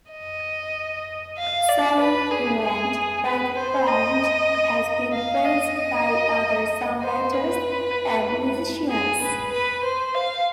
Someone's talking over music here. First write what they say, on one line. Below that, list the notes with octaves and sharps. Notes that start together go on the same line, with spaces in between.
"Selling England by the Pound" has been praised by other songwriters and musicians.
D#5
F5
D5
B4
G#4
G#4
B4
C5
D#5
F5
D#5
C5
B4
G#4
B4
B4
C5
F5